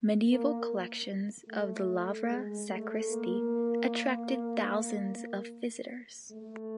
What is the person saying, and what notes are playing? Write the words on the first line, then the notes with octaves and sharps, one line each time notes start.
Medieval collections of the Lavra sacristy attracted thousands of visitors.
A#3
A3
G#3
A3
A#3
A3